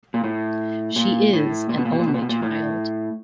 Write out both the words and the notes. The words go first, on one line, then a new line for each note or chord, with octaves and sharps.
She is an only child.
A#2
A2
A#2
A2
A#2
B2
A#2
B2
A#2
B2
A#2
B2
A#2
A2